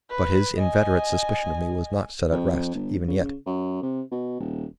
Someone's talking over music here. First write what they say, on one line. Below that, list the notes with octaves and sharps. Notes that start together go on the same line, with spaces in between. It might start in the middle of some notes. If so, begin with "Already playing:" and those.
But his inveterate suspicion of me was not set at rest, even yet.
B4
D#5 G#5
F2
G1
C#3
F#2
C3
B2
D#1